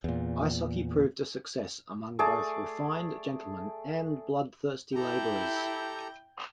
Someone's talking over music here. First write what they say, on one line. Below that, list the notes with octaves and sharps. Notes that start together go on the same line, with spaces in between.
Ice hockey proved a success among both refined gentlemen and bloodthirsty labourers.
E2 A#2
A3 G#4 D5 A5
E4 G4 A4 G5 A#5